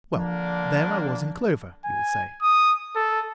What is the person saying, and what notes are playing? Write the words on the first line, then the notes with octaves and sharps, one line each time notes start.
Well, there I was in clover, you will say.
D3 F3 A#3 D4
G#5
D#6
A4